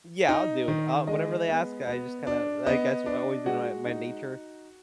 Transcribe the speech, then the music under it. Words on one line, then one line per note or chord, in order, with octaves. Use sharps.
Yeah, I'll do it. I'll whatever they ask, I just kinda I guess, that's always been my my nature,
D#4
D#3
G#3 D#5
B3
B3
D4
B3 D#5
D4
G#3 F#4 F#5
D#4